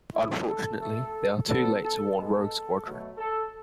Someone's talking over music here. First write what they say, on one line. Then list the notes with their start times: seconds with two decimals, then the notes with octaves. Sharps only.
Unfortunately, they are too late to warn Rogue Squadron.
0.13 A2 G#3 B3 E4
0.46 A4
0.80 B2 A3 A4
1.48 B2 F#3 B3 A4
1.82 A4
2.16 B2 G#3 B3 A4
2.84 B2 F#3 A3
3.18 A4